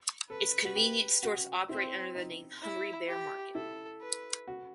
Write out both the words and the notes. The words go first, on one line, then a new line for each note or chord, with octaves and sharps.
Its convenience stores operate under the name Hungry Bear Market.
A4 B4
F#4
G4
F#4
C4 E4
D#4
E4
G4
E4 A4
B4
F#4